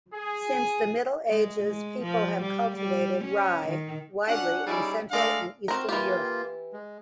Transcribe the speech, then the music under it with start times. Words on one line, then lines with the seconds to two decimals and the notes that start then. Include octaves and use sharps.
Since the Middle Ages people have cultivated rye widely in Central and Eastern Europe.
0.13 G#4
1.28 G#3
1.67 G#3
2.02 F3
2.42 G3
2.77 G3
3.24 C#4
3.68 D#3
4.27 C#4 D4 F#4 F#5
4.66 G3 C#4 D#4 E4 G#4 D5
5.11 G#3 A3 D4 A4 D5 F5
5.68 C4 F#4 A#4
5.89 E3 A#3 F4 G4
6.73 G#3